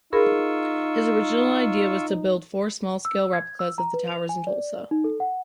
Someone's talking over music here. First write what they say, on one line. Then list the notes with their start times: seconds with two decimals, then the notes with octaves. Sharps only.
His original idea was to build four small-scale replicas of the towers in Tulsa.
0.13 D#4 F4 G#4 A#4 B5 C#6 E6
3.05 E6
3.33 G#6
3.59 E6
3.78 A#5
3.94 B4
4.08 F7
4.29 G#5
4.47 D5
4.91 D#4
5.04 A4
5.20 F#5